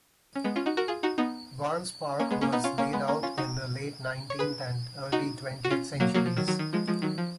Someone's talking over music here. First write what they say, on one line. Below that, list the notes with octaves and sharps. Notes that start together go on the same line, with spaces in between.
Barnes Park was laid out in the late nineteenth and early twentieth centuries.
C#4
G#3 B3
C#4 F4
D#4 F#4
F#4 A#4
F4 G#4
D#4 F#4
B3 D#4
A#3 C#4
G#3 B3
A#3 C#4
B3 D#4
C#4 F4
A#3 C#4
G#3 B3
A#3 C#4
C#4 F4
D#4 F#4
C#5
G#4 B4
D#4 F#4
F#4
C#4 F4
F#3 A#3
F#3 A#3
F3
D#3 F#3
D#3 F#3
D#3
F3 G#3
F3 G#3
D#3 F#3
F3